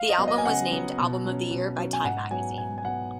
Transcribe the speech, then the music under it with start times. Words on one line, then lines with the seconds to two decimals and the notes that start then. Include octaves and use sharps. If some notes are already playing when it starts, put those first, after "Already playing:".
The album was named "Album of the Year" by "Time" magazine.
Already playing: F5
0.09 D#5
0.18 F#3 B3
0.28 D#5
0.38 G#5
0.45 C#3 F#5
0.71 F#3 B3
0.98 B2
1.25 F#3 C#4
1.51 B2
1.78 F#3 C#4
1.93 G#5
2.04 G#2 F#5
2.31 F#3 B3 G#5
2.58 G#2 G#5
2.78 G#5
2.84 F#3 B3 F#5